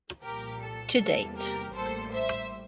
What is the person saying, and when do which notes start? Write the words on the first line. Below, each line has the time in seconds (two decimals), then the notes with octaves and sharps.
To date.
0.22 C2 A#2 F3 A#3 G4 A#4
0.60 A4
0.98 E2 C3 G3 A#3 A4
1.35 G4 A#4
1.73 A1 A2 G3 A#3 A4 C5
2.11 C5 E5